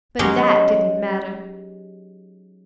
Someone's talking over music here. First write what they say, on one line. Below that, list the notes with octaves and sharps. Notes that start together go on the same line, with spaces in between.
But that didn't matter!
F#3 G#3 C#4 D#4 G4